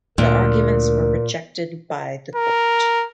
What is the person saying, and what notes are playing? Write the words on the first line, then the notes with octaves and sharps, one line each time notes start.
The arguments were rejected by the court.
D2 A#2 A#4
A#4